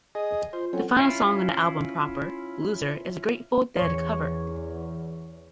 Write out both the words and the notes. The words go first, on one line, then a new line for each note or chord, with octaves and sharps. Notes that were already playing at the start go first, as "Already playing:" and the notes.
The final song on the album proper, "Loser" is a Grateful Dead cover.
G#4 D#5
F4 C5
F#3 C4 C#4 A4 C#5 F#5
C#4 E4 F4
E2 C#5